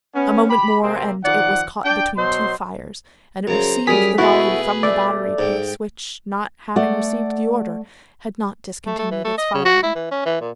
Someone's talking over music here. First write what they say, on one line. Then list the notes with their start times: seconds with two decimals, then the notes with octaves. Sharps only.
A moment more, and it was caught between two fires, and it received the volley from the battery piece which, not having received the order, had not discontinued its firing.
0.14 B3 C#4
0.49 G4 B5
0.82 C3 A#3 C4
1.24 D#3 F3 D5 F#5
1.85 D4 D5 G5
2.16 B2 F#3 C5 D#5 C6
3.48 F#2 C#3 C5 A#5
3.87 F#2 G3 G#4 D#6 F6 B6
4.18 B2 A3 E4 F#4 G#4 B4
4.83 A3 D5
5.39 G#2 G5
6.76 A3 D5 F#5
8.86 A3
8.99 A3
9.11 E3
9.25 A3
9.38 D#5
9.54 C#3
9.65 F#4
9.83 E4
9.96 E3
10.11 C#4
10.26 E3
10.41 A#2